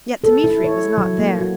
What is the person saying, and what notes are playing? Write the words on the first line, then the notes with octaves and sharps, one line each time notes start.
Yet Dmitri was not there.
A4
E4
C#5
F#3
A#3
F#4